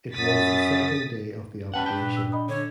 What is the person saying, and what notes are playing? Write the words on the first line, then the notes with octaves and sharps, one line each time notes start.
It was the second day of the operation.
F#2 D#6 A6 B6
G3 C#4 B4 F#5 G5 A5
D4 G5 A5
A#2
E6
D#5 B5 D#6
D3 C#5